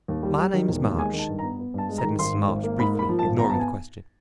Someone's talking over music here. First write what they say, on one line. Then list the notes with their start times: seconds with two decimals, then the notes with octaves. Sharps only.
"My name is March," said Mrs. March briefly, ignoring the question.
0.08 D#2
0.23 G3
0.38 G3
0.54 D#3
0.68 E1
0.84 D#2
0.98 G#3 G#5
1.14 D#3
1.19 A5
1.29 G2
1.39 A#5
1.43 B3
1.59 B3
1.74 G2 A5
1.89 G#3
1.98 A#5
2.03 D#3
2.19 G#1 C6
2.34 G#2
2.48 G#1
2.63 A#3
2.79 G#2 B5
2.94 A#3 B5
3.09 F3
3.19 A5
3.24 G#1
3.39 B3 A#5
3.50 B3 A5
3.60 G#5